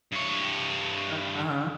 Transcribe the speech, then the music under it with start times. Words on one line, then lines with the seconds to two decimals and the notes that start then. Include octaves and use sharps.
Uh, uh-huh.
0.12 G2 C#5